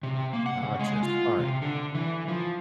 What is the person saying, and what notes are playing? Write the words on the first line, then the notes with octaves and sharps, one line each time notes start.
Gotcha, smart.
C3
A#3
F#5
C#3
G#3
F4
C3
D3
E3
F3